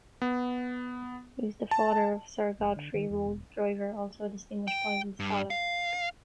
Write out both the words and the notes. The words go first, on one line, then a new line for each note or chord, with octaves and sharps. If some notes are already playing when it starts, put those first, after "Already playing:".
He was the father of Sir Godfrey Rolles Driver, also a distinguished Bible scholar.
B3
A5
F1
D3
D#3
E2
E1
G5
G2
F5